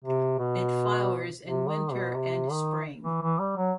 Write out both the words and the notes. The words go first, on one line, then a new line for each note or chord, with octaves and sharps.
It flowers in winter and spring.
C3
B2
C3
D#3
B2
C3
D#3
E3
E3
G3
F#3